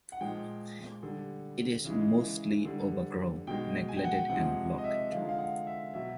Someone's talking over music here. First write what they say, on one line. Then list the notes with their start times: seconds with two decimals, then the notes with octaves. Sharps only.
It is mostly overgrown, neglected and locked.
0.12 F#5
0.21 A#2 F3 G#3 G5
1.02 D3 G3
1.84 C#3 E3 G#3
2.65 D3 G3
3.47 B2 G#3 G5
3.88 G#5
3.97 G5
4.04 F#5
4.12 G5
4.29 C3 F3 G#3 F#5
4.78 D#5
4.84 E5
5.11 D3 F3 G#3 F5
5.29 F5
5.38 F#5
5.67 E5
5.94 B2 F#3 E5